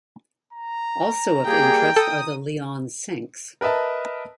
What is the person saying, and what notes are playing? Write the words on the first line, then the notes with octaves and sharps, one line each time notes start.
Also of interest are the Leon Sinks.
A#5
G3 A#3 G#4 G5
A4 D#6
A#4 B4 D#5 E5 A5